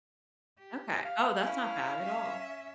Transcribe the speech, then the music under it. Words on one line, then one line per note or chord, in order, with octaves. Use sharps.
Okay, oh, that's not bad at all.
G4
F5
C#4 E4
C#4 E5